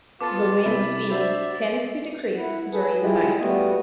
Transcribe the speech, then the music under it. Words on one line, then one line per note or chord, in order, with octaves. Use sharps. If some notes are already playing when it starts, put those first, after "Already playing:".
The wind speed tends to decrease during the night.
B3 F4 A4 D6 A6
C3 G3 E4 B5
D4 F#4 C5 E5 A6
E4 F#5
G#4 A4 B4
G#3 E4 F4 G4 G#4
G3 A3 B3 F#4 G4 D#5